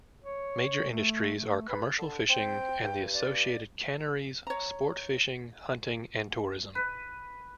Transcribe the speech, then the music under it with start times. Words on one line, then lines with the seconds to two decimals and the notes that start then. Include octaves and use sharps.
Major industries are commercial fishing and the associated canneries, sport fishing, hunting and tourism.
0.23 C#5
0.91 A3
1.36 A3
1.68 B4
1.98 D3 A5
2.29 C4 G5
2.83 G2
3.13 D5
4.47 C#5 A#5
6.75 B4